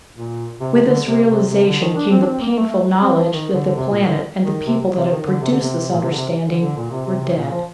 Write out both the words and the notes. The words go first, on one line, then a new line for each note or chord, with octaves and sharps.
With this realization came the painful knowledge that the planet and the people that had produced this understanding were dead.
A#2
C3
C3
D3
C3
C3
C3
D3
D#3
D4
C4
D4
C4
A#3
A3
A3
C4
F3
D#3
D3
D3
C3
A#2
D3
D#3
C3
C3
D#3
D3
C3
D3
C3
A#2
C3
D3
C3
D3
D3
A#2
C3
C3
C3
A#2
F3